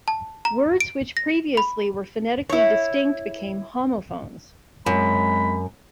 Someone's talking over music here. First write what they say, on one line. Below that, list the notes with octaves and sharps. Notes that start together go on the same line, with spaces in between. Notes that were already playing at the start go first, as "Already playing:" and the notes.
Words which previously were phonetically distinct became homophones.
A5
A#5
D7
A#6
B5
E4 C#5
F#2 G#3 C4 B5